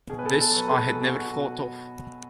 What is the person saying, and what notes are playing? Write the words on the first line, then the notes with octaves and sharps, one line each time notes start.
This I had never thought of.
B2 G#4
B4
B2 A4
A4
F#3
B4
B4
F#3 A4
B2 G#4
F#4
B2 F#4